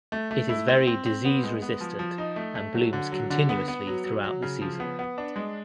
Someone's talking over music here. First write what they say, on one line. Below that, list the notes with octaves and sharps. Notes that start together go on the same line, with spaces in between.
It is very disease resistant and blooms continuously throughout the season.
A3
A3
E4
C4
C4
C4
B3
G#3
B3
F3
F3
D#4
A3
A3
F#3
D3
F#3
D3
B3
B3
F#3
F#3
F#3
C#3
F3
B3
B3
D4
G#3